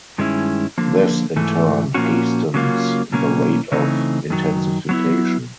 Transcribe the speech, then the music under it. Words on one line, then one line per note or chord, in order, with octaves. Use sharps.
This in turn hastens the rate of intensification.
G2 D#3 G#3 C#4 E4
D3 F3 A#3
G#2 E3 A3
A#2 F3 A#3 C#4 F#4
C#3 F#3 A#3 C#4 F4
B2 F#3 A#3 C#4
C#3 E3 A3 C4 D#4
F#2 D#3 F#3
F#3 B3 E4